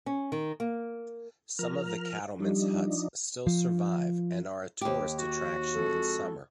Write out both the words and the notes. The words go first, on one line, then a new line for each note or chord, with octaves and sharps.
Some of the cattlemen's huts still survive and are a tourist attraction in summer.
C#4
D#3
A#3
F3 A#4 F6
F3 G3 D4 D#4
F3
D#2 G4
F#4
F2 G#3 A4